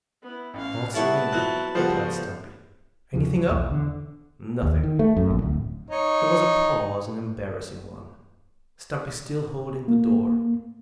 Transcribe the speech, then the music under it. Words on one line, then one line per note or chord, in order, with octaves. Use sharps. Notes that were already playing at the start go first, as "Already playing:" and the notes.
"All serene!" replied Stumpy. "Anything up?" "Nothing." There was a pause--an embarrassing one--Stumpy still holding the door.
B3 E4
A1 C#4 F5
G3 B3 E4 B4 C#5 E5 A5
B2 F#3 C4 E4 F#6
C#2 F3 G3 B3 F#4 A4 C5
E2 C#3 E3 F3
F#3
B1 E2
D3
D#2
D#3
A3
F#2
A#1
D1
D#4 C#5
A#3